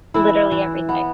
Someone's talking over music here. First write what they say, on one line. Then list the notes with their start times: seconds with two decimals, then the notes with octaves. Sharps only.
Literally everything.
0.14 E3 E4
0.51 E3
0.89 B3